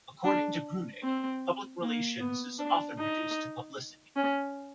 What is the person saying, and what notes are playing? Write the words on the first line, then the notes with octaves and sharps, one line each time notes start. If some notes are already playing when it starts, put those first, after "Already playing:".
According to Grunig, public relations is often reduced to publicity.
D4
C4
A#3
B3
D4
D#4
C#4